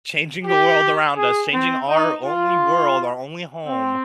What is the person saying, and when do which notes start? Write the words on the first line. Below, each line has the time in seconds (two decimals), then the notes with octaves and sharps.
changing the world around us, changing our only world, our only home
0.45 G4
1.16 G#4
1.52 C4
1.88 D#4
2.24 F4
3.66 C4